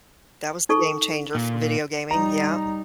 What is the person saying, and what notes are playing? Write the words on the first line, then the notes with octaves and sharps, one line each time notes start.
That was the game changer for video gaming, yup.
D#4 A4 C#6
A#2
G3 D#4 A#5